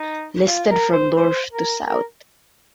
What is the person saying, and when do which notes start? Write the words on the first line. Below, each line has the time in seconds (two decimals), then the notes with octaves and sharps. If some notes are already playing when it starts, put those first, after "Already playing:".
Listed from north to south.
Already playing: D#4
0.47 F4
0.71 A#4
0.93 C5
1.17 C5
1.52 A#4
1.87 A#4